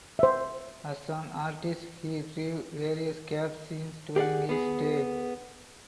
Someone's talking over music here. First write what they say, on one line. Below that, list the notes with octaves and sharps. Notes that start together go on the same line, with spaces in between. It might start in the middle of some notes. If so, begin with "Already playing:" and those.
As an artist he drew various Cape scenes during his stay.
C5 E5
G4 G#4 D5 F#5
B3 G#4